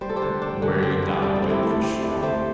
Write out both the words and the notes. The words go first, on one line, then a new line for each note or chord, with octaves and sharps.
wear you down a bit for sure.
G3 C5
A4
G4 C5
D3
D4
D3
C4
G2
G3 A4 D5
G4
C4
E4 A4
A3 E4
C4 G4
D3 E4 A4
A3 G4 C5